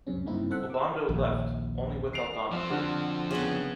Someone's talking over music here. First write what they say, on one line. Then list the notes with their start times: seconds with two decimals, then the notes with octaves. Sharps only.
Obando left, only with Aldana.
0.07 C#2 F#2 C3 C#4
0.26 G2 C#3 A#3 C4 D#4 E4
0.51 C4 A4 E5 F#5
0.70 D6 E6
1.09 A#1 D#2
2.13 C7 D7 F7
2.52 F3 C4
2.70 D3 F#4
3.31 C#3 B3